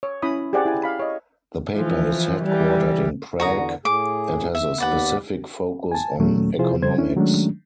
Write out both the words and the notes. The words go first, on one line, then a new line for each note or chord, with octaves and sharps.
The paper is headquartered in Prague and has a specific focus on economics.
C#5
C#4 E4 B5 D#6
G4 G#4 C5 D5 F#5 G#5
E4 G#5
F5 B5
C#5 D#5
E3 F3
E3 G3
E2 D3 F#4 A#5 D#6
A2 G#4 D6
E5
D#2 B3 B4 D5 F#5
G#5 A5
D#2 A#2 D#3 F#3 A3 C#4
C3 F3 E4 F4 G#4 C5
C#3 G3 C5 G#6
C#4 D4 E4
D#3 F#3 G#3 A3 C#4 D4